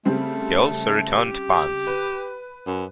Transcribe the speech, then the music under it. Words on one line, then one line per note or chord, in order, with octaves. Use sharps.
He also returned punts.
C#3 G3 A3 C4
G4
B4
F#2